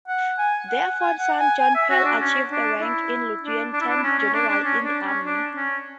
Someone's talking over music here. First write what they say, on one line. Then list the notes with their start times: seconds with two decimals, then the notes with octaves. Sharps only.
Their fourth son, John Peel, achieved the rank of Lieutenant-General in the Army.
0.08 F#5
0.38 G#5
0.68 F#5
1.00 G#5
1.19 F#5
1.40 G#5
1.59 G#5
1.75 E5
1.90 F#4
2.05 D4
2.21 C#4
2.52 D4
2.81 E4
3.43 D4
3.73 D4
3.81 E4
3.89 D4
4.04 C#4
4.19 C#4
4.34 D4
4.49 D4
4.65 C#4
4.84 D4
5.05 C#4
5.25 D4
5.56 C#4